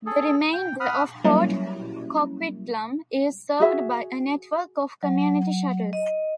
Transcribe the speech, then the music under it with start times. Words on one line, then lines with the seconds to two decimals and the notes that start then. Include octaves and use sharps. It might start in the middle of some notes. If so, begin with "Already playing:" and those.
The remainder of Port Coquitlam is served by a network of Community Shuttles.
0.06 G#4 A4
0.53 G5
0.80 F#5 B5 D#6 F6
1.24 F#3 G3 A#3 C#4 E4
3.60 F#4 G#4 E5
5.03 F#3
5.93 D#5